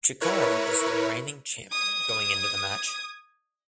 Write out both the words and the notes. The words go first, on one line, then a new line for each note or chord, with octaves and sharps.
Chikara was the reigning champion going into the match.
E4 A#4 B4 C#5
D#6 G#6